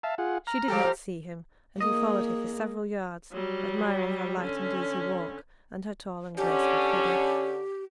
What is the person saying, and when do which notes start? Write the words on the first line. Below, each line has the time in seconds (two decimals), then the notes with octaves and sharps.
She did not see him; and he followed her for several yards, admiring her light and easy walk, and her tall and graceful figure.
0.03 E5 F5 A5
0.18 F4 G#4 F#5
0.47 A#5 F6
0.68 F3 G4 A4
1.81 A#3 G#4 D#5
3.32 F#3 G3
4.40 D3 C#4
6.37 D3 C#4 G4